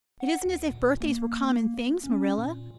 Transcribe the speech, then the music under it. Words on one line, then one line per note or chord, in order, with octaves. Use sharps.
It isn't as if birthdays were common things, Marilla.
F#5
D2
A#2
A#3
C#4
A#2